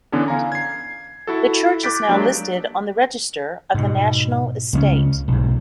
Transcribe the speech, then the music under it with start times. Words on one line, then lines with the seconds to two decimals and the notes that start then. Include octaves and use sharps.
The church is now listed on the Register of the National Estate.
0.12 D3 E3 B3 C#4 D4
0.28 F5 G#5 A#5
0.52 G#6 C7
1.27 E4 F#4 A4
1.83 D6 F#6 G6 A6 B6 D7
2.09 F#3 G#3 A#3 D4 F#4 G4
3.74 G#2 B2
4.73 C#2 G3 C#4
5.28 B1 G#2